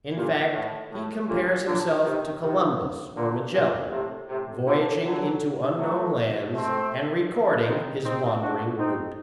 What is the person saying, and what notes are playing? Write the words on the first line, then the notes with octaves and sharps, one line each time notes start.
In fact he compares himself to Columbus or Magellan, voyaging into unknown lands, and recording his wandering route.
G2 A#2
A2
A2
G2 A#2
A#2 D3
C3 D#3
C3 D#3
A#2 D3
G2 A#2
A2 C3
A2 C3
A#2 D3
D3 F#3
F#3 A3
A3 C4
C4 D#4
C4 D#4
D4 F#4
C4 D#4